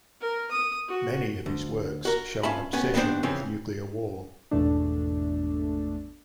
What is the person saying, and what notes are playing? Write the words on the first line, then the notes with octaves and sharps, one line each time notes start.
Many of his works show an obsession with nuclear war.
A#4
D#6
F#4
D2
F#4 A#4
C#4 F4 E5 A5 B5
A2 B3 C#4
D#2 G#2 B3 C4 D4 C5
C#3 E3 F3 C4 C#4
G#1 E2 B2 A3 D4